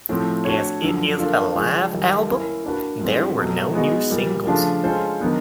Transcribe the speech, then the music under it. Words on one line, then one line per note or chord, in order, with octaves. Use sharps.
As it is a live album, there were no new singles.
A2 F3 A3 C4
A3 D4 F#4 A4 C#5
F#2 D3 F3
A#3 D4 F4 A4
C#3 F3 G#3 C#4
F#2 D#3 G3
A#3 C#4 E4
A#3 D4 F#4 B4
G2 E3 G#3 C4
B2 F#3 A3
G#3 B3 D#4 F#4
A#2 G3 A#3
C#3 F3 A3 D4 F4
G#3 C#4 F4 A4 C5
D#3 F#3 B3 D4